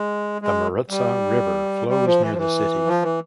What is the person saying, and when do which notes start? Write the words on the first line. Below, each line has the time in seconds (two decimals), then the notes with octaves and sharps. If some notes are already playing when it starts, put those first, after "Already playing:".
The Maritsa River flows near the city.
Already playing: G#3
0.42 G#3
0.90 G3
1.88 G3
2.05 F3
2.21 E3
2.32 F3
2.38 E3
2.86 F3
3.03 E3